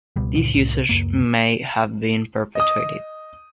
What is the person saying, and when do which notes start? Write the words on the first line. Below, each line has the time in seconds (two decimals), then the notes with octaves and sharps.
This usage may have been perpetuated.
0.16 C#2 B2 G3
0.35 C#2 G2 A#2 D3
0.54 C2 A2
0.89 C#2 F#2 A#3
2.55 D#5 D#6